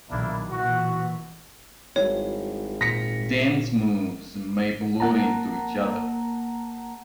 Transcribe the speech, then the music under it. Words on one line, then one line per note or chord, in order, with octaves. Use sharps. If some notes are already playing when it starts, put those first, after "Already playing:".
Dance moves may blur into each other.
B1 A#2 D#3 A#3 D4 E4
A#2 E3 F#4
G#1 G3 E4 F#4 C#5
A#2 A#6 B6 C#7
A#3 F#5 A5 A#5